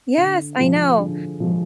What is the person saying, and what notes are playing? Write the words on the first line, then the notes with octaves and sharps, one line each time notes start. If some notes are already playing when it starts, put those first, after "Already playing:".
Yes, I know,
D3
F3 G#3
D3
F3 G#3